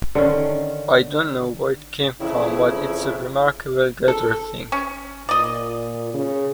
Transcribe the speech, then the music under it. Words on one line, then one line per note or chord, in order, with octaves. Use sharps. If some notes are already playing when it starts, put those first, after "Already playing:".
I don't know where it came from but it's a remarkable guitar thing.
D3 D#3 C#4
F2 C#3 E3 E4
A4
C#4
A#2 D5 D#5
C#3